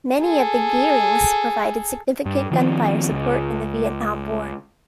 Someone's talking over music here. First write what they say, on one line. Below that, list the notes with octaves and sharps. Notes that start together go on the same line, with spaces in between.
Many of the "Gearing"s provided significant gunfire support in the Vietnam War.
G#4 A4
G2
D#3 F3 C4
C#2